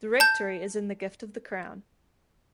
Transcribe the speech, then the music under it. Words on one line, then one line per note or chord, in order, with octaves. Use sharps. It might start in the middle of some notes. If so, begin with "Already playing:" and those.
The rectory is in the gift of the crown.
A5 G6